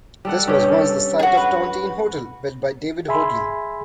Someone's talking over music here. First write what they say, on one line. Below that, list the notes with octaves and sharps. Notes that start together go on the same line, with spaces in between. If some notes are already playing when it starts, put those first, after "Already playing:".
This was once the site of the Tontine Hotel, built by David Hoadley.
G3 A4 F#5
G2 C#4 G4
A4
F#4 G#4
B4
G#4 E5 G#5 B5 C6